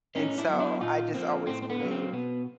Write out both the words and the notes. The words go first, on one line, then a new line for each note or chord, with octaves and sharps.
and so I just always believe
A2 C#4 D#4
D4 E4
F#3 B3
D4 E4
A#2 D#4 F4
F3 A#3 C4
A2 C4
C4
B3
F#3 A#3
C4
B2 B3